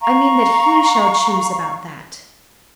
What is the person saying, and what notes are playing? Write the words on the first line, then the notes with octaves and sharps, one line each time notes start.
"I mean that he shall choose about that."
F5 A#5 C#6